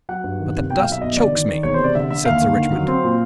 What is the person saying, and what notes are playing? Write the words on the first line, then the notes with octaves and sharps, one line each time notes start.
"But the dust chokes me," said Sir Richmond.
F#3 F#5
G2
D#3
C3
B1 G5
F5
B1 E5
G1 D#5
D3 D5
D#3
D#3
E1 C#5
C5
C3 D5
D3 E5
D3 E5
D#2 F5
D#3
D3
F#3
C4
A#2